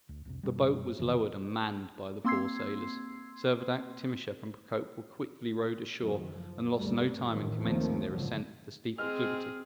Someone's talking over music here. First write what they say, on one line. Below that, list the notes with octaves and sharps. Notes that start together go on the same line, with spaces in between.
The boat was lowered and manned by the four sailors; Servadac, Timascheff and Procope were quickly rowed ashore, and lost no time in commencing their ascent of the steep acclivity.
D2
C2 F2 C3
F#2 B2 G3
F2 C3 D#3 E3
A#3 C4 C6 E6 G#6 C7
F#1 F#2 D#3
F3
G1 C2 G3 A3
A1 F#2 A2 D#3 F3
D#2 D#3 F3 A3 A#3 C4
G1 C#2 A2 D3 F3 F#3
G#3 C4 G#4 F6